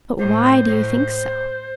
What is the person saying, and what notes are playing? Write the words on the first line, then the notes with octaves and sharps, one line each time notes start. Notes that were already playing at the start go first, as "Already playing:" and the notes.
But why do you think so?
A2 C5
A2